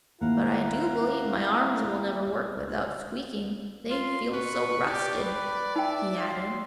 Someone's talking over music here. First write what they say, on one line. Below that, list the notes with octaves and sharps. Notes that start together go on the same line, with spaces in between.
"But I do believe my arms will never work without squeaking, they feel so rusted," he added.
D#2 E4 A#4 F5 F#5
F4 C6
B4 C#6
G4 D5
B4
D#4 E5 G5
F#3 C6